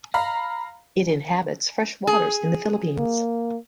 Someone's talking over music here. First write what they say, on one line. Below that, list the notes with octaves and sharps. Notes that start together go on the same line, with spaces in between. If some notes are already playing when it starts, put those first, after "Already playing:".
It inhabits freshwaters in the Philippines.
F5 A#5 B5
G#4
A#3